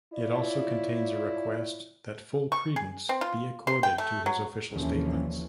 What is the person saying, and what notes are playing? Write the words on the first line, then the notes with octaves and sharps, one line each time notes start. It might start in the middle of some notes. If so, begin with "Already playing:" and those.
It also contains a request that full credence be accorded to his official statements.
E4 F4 C#5 D5
C#6
G#4
C4
F4
C6
G5
A3
F#3
F1 D#2 D3 E3 F3 C#4